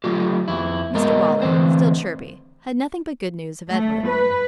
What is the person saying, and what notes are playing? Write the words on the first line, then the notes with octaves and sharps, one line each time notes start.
Mr Waller, still chirpy, had nothing but good news of Edward.
F#3 A3 F4 G4
F2 E4
G#3 B3 A#4 D#5
D3 E3 A3 C4 C5
A3
B4